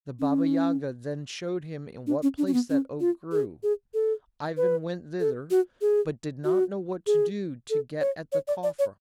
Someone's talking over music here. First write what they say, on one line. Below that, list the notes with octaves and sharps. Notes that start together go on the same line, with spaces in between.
The Baba-Yaga then showed him in what place that oak grew: Ivan went thither, but did not know what to do to get at the coffer.
C#4
D4
C#4
D4
C#4
B3
C#4
F4
G#4
G#4
A4
B4
A4
F#4
G#4
F#4
G#4
A4
C#5
C#5
D5
D5
C#5